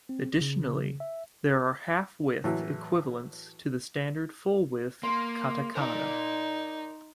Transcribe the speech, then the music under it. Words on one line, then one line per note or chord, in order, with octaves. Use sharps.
Additionally, there are halfwidth equivalents to the standard fullwidth katakana.
C4
C#3
E5
A2 E3 F#3
A#3 C6
D#4 A#4 D5